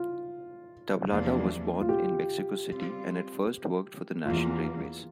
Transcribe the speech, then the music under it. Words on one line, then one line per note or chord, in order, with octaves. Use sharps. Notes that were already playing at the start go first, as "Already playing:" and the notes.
Tablada was born in Mexico City and at first worked for the national railways.
Already playing: F4
E2 C3 F3 A#3 D4
F4
G4
G3 C4 F4
E2 E3 A#3 F4